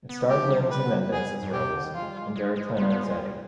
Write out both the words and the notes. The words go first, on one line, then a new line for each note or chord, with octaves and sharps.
It starred Lindsay Mendez as Rose and Derek Klena as Eddie.
B3
G#3 G4
F3
G3
F3
G3 B4
B3
G3
B3 G#4
G#3
G2
B2 G4
C3
D3
D#3
F3 F4
G#3
G3
G#3
G#3
G#3
B3 F4
B3
G#3
G3